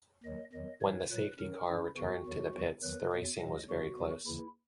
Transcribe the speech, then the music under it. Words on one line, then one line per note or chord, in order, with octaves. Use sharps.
When the safety car returned to the pits the racing was very close.
D#2 D#3 F#3 D#5
E2 D#3 F#3 D#5
G#2 E3 C#5
A#2 F#3 B4
F#2 D#3 F#3 A#4
F#2 E3 E4
E2 C#3 E3 F#4
E2 D#3 F#3
E2 D#3 F#3
E2 D#3 F#3 B4
E2 B2 F#3
A#2 F#3 D#5
E2 C#3 F#3 F#4
E2 D#3 F#3
D#2 C#3 E3 E4